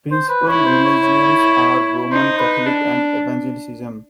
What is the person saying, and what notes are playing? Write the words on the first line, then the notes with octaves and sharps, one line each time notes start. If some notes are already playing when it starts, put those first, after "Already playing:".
Principal religions are Roman Catholic and Evangelicalism.
C5
B4
E4 C#5
C5
C#5
C#5
D#4 C5
B4
D4